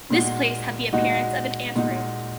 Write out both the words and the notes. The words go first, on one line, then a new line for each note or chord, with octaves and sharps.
This place had the appearance of an ante-room.
A#2 G#3 D#4 F#4
A#2 G#3 D#4 F#4
A#2 G#3 D#4 F#4